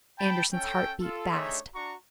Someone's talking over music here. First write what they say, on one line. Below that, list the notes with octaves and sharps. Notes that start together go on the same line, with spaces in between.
Andersen's heart beat fast.
G5 A5 B5
C#4 A4 G5
F4 A4
A3 D4 D#4 G#4 C#5 E5
D4 F#4 A#5 C#6